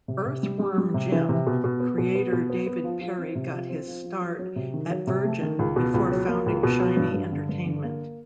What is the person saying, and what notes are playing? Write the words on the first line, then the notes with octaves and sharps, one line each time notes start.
"Earthworm Jim" creator David Perry got his start at Virgin before founding Shiny Entertainment.
C3
C3
G3
G3
G3
C3
E3
C3
B2
B2
B3
B2
B3
B2
B3
B3
F3
F3
C4
C3
F3
C4
F3
F3
F#3
F#3
C3
D#3
F#3
C3
A3
D#3
C#2
B2
C#2
F#3
A#3
C#2
B2
F#3
G2
G2
D3
G2
D3
A#3